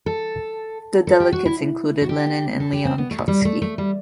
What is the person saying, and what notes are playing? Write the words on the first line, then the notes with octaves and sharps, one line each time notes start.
The delegates included Lenin and Leon Trotsky.
A4
A4
G4
F#4
E4
F#4
G4
A4
G4
C4
B3
A3
G3
A3
A3
G3